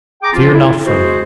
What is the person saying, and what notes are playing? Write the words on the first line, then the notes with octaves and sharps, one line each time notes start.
Fear not for me.
G#4 G5 A#5 D6
F3 C4 F4
E4
G#3 F#4 G#4 C5